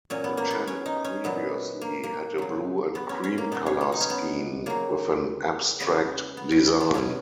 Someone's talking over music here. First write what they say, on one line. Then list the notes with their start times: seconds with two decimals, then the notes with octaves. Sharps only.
The channel previously had a blue and cream colour scheme, with an abstract design.
0.10 A#2 F#3 C#4
0.24 B3
0.37 A#3
0.51 B3
0.67 C#4
0.86 D#4
1.04 C#4
1.24 A#2 F#3 B3
1.81 A#3
2.03 A#3
2.38 C#3 F#3
2.95 B3
3.09 C#4
3.24 C#4
3.38 A#3
3.52 B2 F#3 B3
3.66 C#4
3.81 B3
3.92 D#4
4.01 C#4
4.10 B3
4.66 C#3 F#3 A#3
5.80 C#3 G#3 B3
6.37 B3
6.52 C#4
6.66 B3
6.80 B3
6.94 B2 G#3 C#4